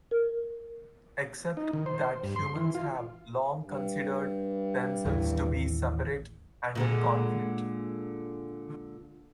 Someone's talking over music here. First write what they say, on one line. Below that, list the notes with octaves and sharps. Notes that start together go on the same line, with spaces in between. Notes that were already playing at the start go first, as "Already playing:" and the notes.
Except that humans have long-considered themselves to be separate and in conflict.
A#4
D#4
D#3
C5
G2
C6
E3
F4
G2
A1 D#2 E3
A#2 D3 G#3